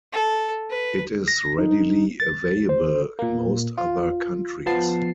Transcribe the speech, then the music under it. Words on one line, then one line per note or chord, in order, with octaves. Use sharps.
It is readily available in most other countries.
A4
B4
A#6
D#4
A6
C5
A#2 A#3
F4
F3 B3 A5 C7